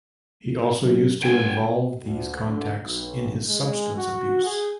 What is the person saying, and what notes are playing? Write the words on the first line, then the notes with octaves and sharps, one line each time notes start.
He also used to involve these contacts in his substance abuse.
F#2
G1 G5 G#5
D2
D3
B1
G#3
F#4
G#4